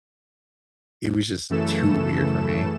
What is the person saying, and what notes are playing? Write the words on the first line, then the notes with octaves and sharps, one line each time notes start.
it was just too weird for me.
F#2 C#3 E3 A3 A4 E7